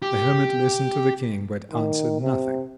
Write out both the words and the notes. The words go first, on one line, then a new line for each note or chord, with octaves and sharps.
The hermit listened to the King, but answered nothing.
G4
D#3
C3